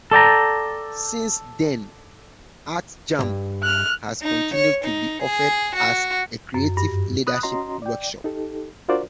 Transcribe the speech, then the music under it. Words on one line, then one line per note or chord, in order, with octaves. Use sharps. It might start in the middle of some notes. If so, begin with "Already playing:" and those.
Since then, "Art Jam" has continued to be offered as a creative leadership workshop.
A4 D5 G5 A#5
B1 G2
F6 F#6
D#4
C#5
D#4
G#4
F#4
F#2
G2
B5 D#6 F#6
C#4 F#4 D#5 A#5 C6
D5 G5
D#4 G4 A4
D4 F4 F#4 A#4 C5 D5